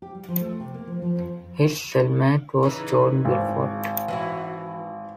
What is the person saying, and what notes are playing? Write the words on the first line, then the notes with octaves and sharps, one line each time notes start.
His cellmate was Jordan Belfort.
G4
G3
F3
A3
C3
A#3
F3
F3
F2
C#3 E3 D#4
G#1
E3 E4 F#4